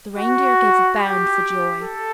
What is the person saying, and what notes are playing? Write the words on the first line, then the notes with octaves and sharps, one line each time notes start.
The Reindeer gave a bound for joy.
F#4
G4
A4